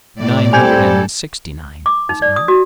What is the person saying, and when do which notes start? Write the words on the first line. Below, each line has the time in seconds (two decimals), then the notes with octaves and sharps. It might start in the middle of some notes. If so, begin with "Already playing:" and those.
"Nine hundred and sixty-nine, was it not?" I asked.
0.15 A2 D5
0.53 G3 C4 A4 G#5 G6 G#6
1.86 D6
2.09 D#4
2.22 D5
2.36 D#6
2.48 F#4